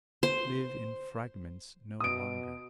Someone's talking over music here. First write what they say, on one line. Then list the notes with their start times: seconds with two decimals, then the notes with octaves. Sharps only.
Live in fragments no longer.
0.23 C5
2.00 B2 D#6 D7